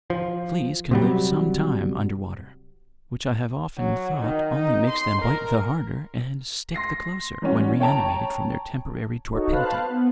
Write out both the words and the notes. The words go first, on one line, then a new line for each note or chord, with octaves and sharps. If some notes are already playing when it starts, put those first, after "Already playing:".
Fleas can live some time under water; which I have often thought only makes them bite the harder and stick the closer, when reanimated from their temporary torpidity.
F3
C3 F#3 G3
F#3
D#3
D#4
C6
A#4
C6 A#6 C7
E3 G3 C#4 F#4
C#5 G5 A5 A#5
D#4 F#4 A4 C#5
B4 C5 F5 A5 B5 F#6
B3